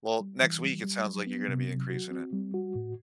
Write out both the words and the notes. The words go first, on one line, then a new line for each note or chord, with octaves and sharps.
Well, next week it sounds like you're gonna be increasing it.
G3
E3
G3
G3
F#3
B3
C3
F#3
F#4
C4
G3
F#4
A2